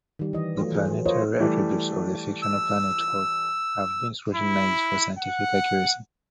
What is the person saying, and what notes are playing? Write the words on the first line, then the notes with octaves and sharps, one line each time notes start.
The planetary attributes of the fictional planet Hoth have been scrutinized for scientific accuracy.
D#3 G3
E3 D#5
F#3 A3 F4
E3 G#4
F#3
F4 A#4 C5 C#5 D#5
E3 G3 A3
E6
E4
F#5